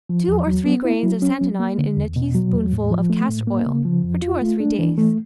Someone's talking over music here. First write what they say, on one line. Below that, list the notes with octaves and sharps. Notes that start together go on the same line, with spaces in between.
Two or three grains of santonine in a teaspoonful of castor oil, for two or three days.
F3
E2
F#3
B3
E4
F#3
C#4
F#3
A#3
D3
E2
B2
F#3
E2
A2
F3
A3
A2
A#3
C#3
F3
F2
F4
A3
D4
E3
A3